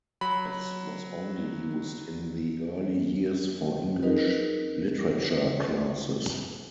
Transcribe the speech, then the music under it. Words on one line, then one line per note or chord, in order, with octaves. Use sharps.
This was only used in the early years for English Literature classes.
F#3 B5
D#4 G#4 A#4 B4 D#5